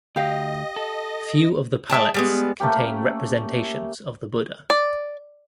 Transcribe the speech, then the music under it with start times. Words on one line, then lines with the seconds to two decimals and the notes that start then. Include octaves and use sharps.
Few of the palettes contain representations of the Buddha.
0.16 D2 G4 D#5 F5
0.76 A4
1.90 G#3 E5 G5 A5
2.14 G3 G#3 B3
2.60 A3 A#3 C#4 G4
4.70 D5